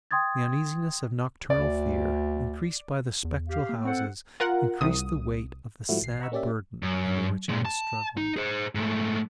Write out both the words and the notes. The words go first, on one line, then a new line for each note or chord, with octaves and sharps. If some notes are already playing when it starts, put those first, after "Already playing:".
The uneasiness of nocturnal fear, increased by the spectral houses, increased the weight of the sad burden under which he was struggling.
G5 C6 D#6 G#6 A6
D2 D5
E2
G4 F5
A#3
C4 A4 C5 F#5
F4 A#4 F#5
C2 D#6
G#2 F3 G3 A3 E4 F#4
A1 C7
D#5 F#5 A#5 B5 C#6 E6
A#3 C#4 G4 D5 E5
F#2
A#2 G#3
A5
D#4
G#4 C5
G#2 A3